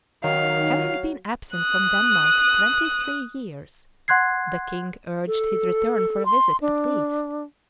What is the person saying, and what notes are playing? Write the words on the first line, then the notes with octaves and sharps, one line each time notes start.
Having been absent from Denmark twenty-three years, the King urged his return for a visit, at least.
D#3 F#3 F5
D#6 F#6
F#5 C6 F#6 G#6 C7
A4
C6
D4